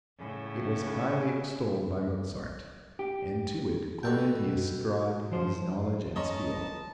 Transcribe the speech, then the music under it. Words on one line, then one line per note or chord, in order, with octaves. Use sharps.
It was highly extolled by Mozart, and to it Clementi ascribed his knowledge and skill.
A2 C#3
G4
B2 A4 G5
F3 C5
C#4 C#5 D#5 A5 A#5 C6